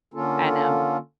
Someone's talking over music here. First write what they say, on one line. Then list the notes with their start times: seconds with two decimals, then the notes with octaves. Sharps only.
and, um
0.14 D3 A#3 C#4 F4 A4